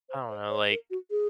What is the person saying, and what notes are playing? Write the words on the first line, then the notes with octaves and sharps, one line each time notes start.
I don't know, like,
C5
C5
C#5
A#4
F#4
G#4